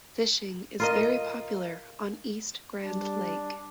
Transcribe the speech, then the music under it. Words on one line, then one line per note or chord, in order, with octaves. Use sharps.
Fishing is very popular on East Grand Lake.
F4 A#4 D#5
G3 D4